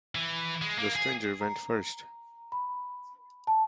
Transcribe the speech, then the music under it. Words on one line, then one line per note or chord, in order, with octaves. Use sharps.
The stranger went first.
E3
G#3
A#3
G#4
A#5
B5
A5